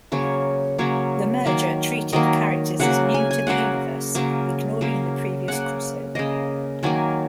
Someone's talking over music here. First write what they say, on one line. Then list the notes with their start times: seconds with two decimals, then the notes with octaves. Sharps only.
The merger treated the characters as new to the universe, ignoring the previous crossover.
0.12 C#3 F#3 A#3 C#5
0.78 C#3 F#3 A#3 C#5
1.46 D#3 F#3 A#3
2.13 D#3 F#3 A#3 D#5
2.80 C#3 F#3 A#3 F#5
3.14 G#5
3.31 G#5
3.47 C#3 F#3 A#3 F#5
4.15 C#3 F#3 A#3
4.81 C#3 F#3 A#3
5.48 C#3 A#3 F#5
6.15 C#3 A#3 D#5
6.83 D#3 F#3 A#3 G#5